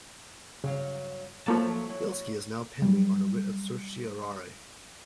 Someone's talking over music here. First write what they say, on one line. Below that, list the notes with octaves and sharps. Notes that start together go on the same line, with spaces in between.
"Bilski" is now pending on writ of certiorari.
G2 C#3 F#3 F5
F3 F#3 A3 A#3 F4 A5
F#3 E4
F#3 G3